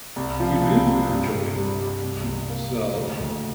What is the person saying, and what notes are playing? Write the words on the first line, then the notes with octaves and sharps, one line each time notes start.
you do enjoy it more, you know? So.
C2
F3
C2
C3
G2
G2
G3
G3
C2
C3
A#3
A#3
D2
D2